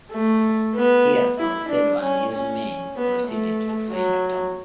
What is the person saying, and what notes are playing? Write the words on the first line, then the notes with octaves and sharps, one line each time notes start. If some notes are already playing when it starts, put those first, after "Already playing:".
Here Salcedo and his men proceeded to find a town.
A3
B3
E4
D4
C#4
C#4
B3
A3
F#3